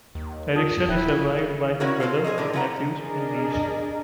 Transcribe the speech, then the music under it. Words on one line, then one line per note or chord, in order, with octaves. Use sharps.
Erickson is survived by his brother, nephews, and niece.
D#2
F4 A5 D#6
D1 E4 E5 G5 F#6
C#4 E4 F#4 A#4 C#5
C4 F4 A4 F5
G#4 A#4 C5 D#5
A2 D3 A#4
C#3 E4 A4 B4 F#5 A#5
D4 G#4 A#4 D#5